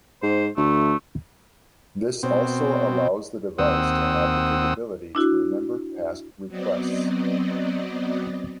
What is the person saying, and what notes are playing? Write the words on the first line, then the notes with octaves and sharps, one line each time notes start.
This also allows the device to have the capability to remember past requests.
G#2 C5
D2 A3
B2 C4
D#2 C4 F#5 D#6 E6
D4 E4 F#4
F#3 B3 C4 D5 D#5